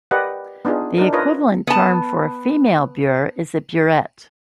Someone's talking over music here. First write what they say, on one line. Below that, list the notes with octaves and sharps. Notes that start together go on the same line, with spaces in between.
The equivalent term for a female beur is a beurette.
G4 A#4 B4 D5 D#5 F#5
B3 D4 D#4 F4 G#4
D4 D#4 A#4
F4 A#4 B4 C#5 D#5
B3 A5